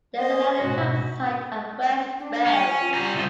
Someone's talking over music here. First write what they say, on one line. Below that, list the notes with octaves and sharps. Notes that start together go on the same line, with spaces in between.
There is another campsite at West Bay.
C5 D#5
G#2 B2 F#4
D4
C#4 G5
G#5
F4
G3 A#5
C2 F3